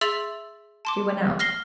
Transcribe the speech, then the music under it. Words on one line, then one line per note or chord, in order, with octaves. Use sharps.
She went out.
G#4 E5 C6 E6 A6 F#7
A5 C6 D6
F6 A#6 C7 G7